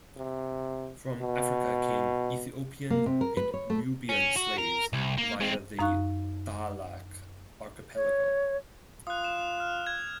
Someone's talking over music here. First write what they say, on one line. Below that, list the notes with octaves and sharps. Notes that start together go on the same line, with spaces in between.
From Africa came Ethiopian and Nubian slaves via the Dahlak Archipelago.
C3
B2
A#3
C3
A#4
B4
C#5
A3
C#4
F#4
A#4
C2
A#3
G#3 C4
F#2 D#4 F5 C#6 F#6
C#5
F4 D#6 F#6
E7
F6
G#6